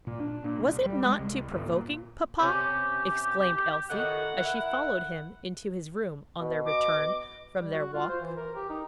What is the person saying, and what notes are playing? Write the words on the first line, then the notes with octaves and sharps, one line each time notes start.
"Was it not too provoking, papa?" exclaimed Elsie, as she followed him into his room on their return from their walk.
A#2
D4
A#2
C2
G3
G#3
C2
G1
A#2
C3 C#4 G4
A2 D#3 F#4 F#5
E4 A#4
B2
D#5 D6
G3
F#4
F4
C5
E3
A#4
G4
D#4